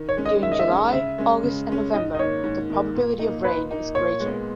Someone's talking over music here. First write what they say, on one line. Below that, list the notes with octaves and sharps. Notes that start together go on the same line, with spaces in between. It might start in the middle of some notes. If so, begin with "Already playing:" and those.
During July, August and November the probability of rain is greater.
Already playing: D#3
C#5
G#3 C#4
D#5
D#3 E5
D#5
E5
G#3 C#4
C#3 E5
G#3 C#4
C#3
G#3 C#4
G#2 D#5
D#5
D#3 A#3 C#5
G#2
D#3 A#3
A#2
A#3 D#4
A#2 B4
A#3 D#4
A#2 C#5
G#3 B3